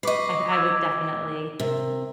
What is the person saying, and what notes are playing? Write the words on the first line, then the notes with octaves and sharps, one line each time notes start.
I I would definitely
B4 D#5 C#6 D6 C7
D6 E6 G#6
C3 A#4